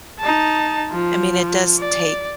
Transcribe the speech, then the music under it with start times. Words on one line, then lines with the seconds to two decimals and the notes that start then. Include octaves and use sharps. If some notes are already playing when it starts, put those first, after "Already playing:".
I mean, it does take
0.19 D#4 A5
0.92 F3
1.78 D5